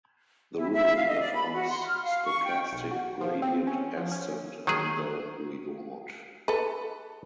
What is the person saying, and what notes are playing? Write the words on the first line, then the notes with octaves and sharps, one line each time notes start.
The rule performs stochastic gradient ascent on the reward.
E4
E5
F5
D#5
D5
B5
F#4
C6
F6
F5
C#6
G5
B1
F#4
F3
C4
C#4
F3
C#4
D#3 F#3 G#4
A4 B4